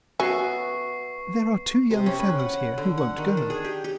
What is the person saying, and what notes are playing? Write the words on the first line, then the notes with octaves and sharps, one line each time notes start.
"There are two young fellows here who won't go."
B3 C#4 F#4 E5 C#6 C7
C3
C#4
B4
F#5
F#5
D3
F#5
D#3
D4
G#4
G4
G4